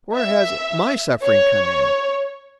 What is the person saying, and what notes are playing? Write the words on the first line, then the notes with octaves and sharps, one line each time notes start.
Where has my suffering come in?
E5
C#5